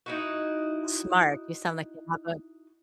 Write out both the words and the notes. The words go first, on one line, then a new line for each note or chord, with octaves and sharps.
Smart. You sound like you have a
D#4 E4 F#4